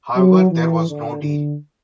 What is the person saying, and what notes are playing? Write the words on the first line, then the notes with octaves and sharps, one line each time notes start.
However, there was no deal.
F#3
E3
D3
D3